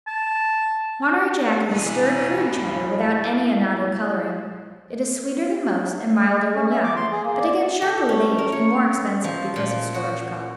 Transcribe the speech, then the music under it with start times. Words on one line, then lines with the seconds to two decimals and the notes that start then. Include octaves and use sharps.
Monterey Jack is a stirred curd Cheddar without any annatto coloring. It is sweeter than most and milder when young, but it gets sharper with age and more expensive because of storage costs.
0.07 A5
1.71 G#3 E4 G#5
6.55 C#4
6.70 E5
6.84 D6
6.96 C6
7.12 G#4
7.24 A#3
7.40 D5
7.82 A4
8.09 C#4
8.38 A#4
8.52 C#5
9.24 F3
9.56 A#2
9.94 F#4